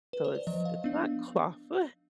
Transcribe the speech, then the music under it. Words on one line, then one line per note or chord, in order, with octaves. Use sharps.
So it's it's not clawfoot
B4
C5
D5
F3 D#5
F5
B3 D4